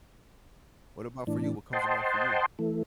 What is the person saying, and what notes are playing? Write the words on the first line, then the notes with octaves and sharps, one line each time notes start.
what about for you? What comes to mind for you?
A2 E3 D4
C5 D#5 F#5 G5 A5 C6
E3 A3